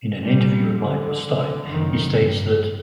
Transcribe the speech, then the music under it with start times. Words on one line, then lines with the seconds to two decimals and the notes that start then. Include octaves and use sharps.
In an interview with Michael Stipe, he states that: ...
0.21 A#2 G3
0.81 D3
1.70 F#1 D#3
2.12 G2